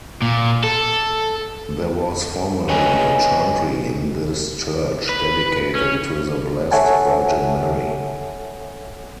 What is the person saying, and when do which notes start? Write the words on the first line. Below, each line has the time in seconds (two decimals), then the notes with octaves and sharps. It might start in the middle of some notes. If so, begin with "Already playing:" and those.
There was formerly a chantry in this church, dedicated to the Blessed Virgin Mary.
0.22 A#2
0.64 A4
2.69 B4 C#5 D#5 G5 G#5
5.09 B4
5.75 C#4
6.71 A4 C#5 E5 F#5 G#5 A5